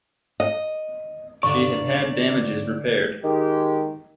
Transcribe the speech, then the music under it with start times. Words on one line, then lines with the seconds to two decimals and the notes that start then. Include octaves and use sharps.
She had had damages repaired.
0.40 D#5
1.43 G1 A#2 D3 D5 C#6
3.24 D#3 G#3 G4